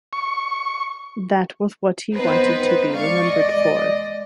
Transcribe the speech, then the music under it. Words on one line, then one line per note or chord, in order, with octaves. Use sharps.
That was what he wanted to be remembered for.
C#6
B3 C4 D#4 B4 C5
G#3 D5 F5 C#6
D#5